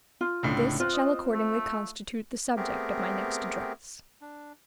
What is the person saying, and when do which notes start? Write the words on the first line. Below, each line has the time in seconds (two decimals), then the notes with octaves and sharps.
This shall accordingly constitute the subject of my next address.
0.21 F4
0.43 C#2 A2 D3
0.80 C4 F4 F#6
0.93 D#5
1.34 A3
2.57 A3 B3 C4 G4 G#4 A#4
4.21 D4